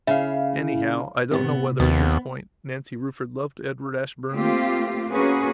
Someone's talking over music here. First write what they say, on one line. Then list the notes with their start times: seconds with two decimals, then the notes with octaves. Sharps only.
Anyhow, I don't know whether, at this point, Nancy Rufford loved Edward Ashburnham.
0.07 C#3 E4 F5
1.31 A2 C3 B3
1.80 D#2 B3
4.34 A3 A#3 C4 F4 G4
5.12 A#3 C#4 F#4 G#4 B4